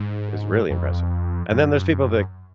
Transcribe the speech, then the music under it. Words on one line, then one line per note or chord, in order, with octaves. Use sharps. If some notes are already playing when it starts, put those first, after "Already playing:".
is really impressive. And then there's people that,
Already playing: G#2
F2
F#2